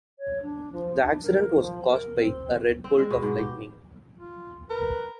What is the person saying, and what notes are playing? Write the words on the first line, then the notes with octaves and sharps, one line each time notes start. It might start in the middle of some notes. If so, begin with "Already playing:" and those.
The accident was caused by a red bolt of lightning.
C#5
D4
F3
D4
A#4
F3
A#4
C4
C4
G#3
B2
G#2
G4
F4
A#4 B4